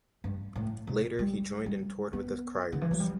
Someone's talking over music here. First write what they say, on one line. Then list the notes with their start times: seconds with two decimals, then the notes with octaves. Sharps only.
Later he joined and toured with the Cryers.
0.24 G2
0.56 A2
0.87 B2
1.19 G3
1.66 G3
2.13 B3
2.72 D3
2.81 E3
2.91 F#3
3.00 G3